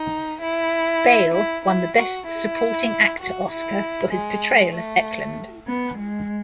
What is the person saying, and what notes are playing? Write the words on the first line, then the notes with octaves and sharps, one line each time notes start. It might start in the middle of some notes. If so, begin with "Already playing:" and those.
Bale won the Best Supporting Actor Oscar for his portrayal of Eklund.
Already playing: D#4
E4
E4
E4
F#4
E4
F#4
E4
G#3
A3
B3
G#3